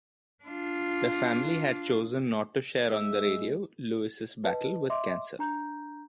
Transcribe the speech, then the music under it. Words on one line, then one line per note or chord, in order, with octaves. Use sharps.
The family had chosen not to share on the radio Lewis' battle with cancer.
D4 F4
G#3 E5
B4 D#5 A5
D#5 E5 C6 D6
D4 A#5 G6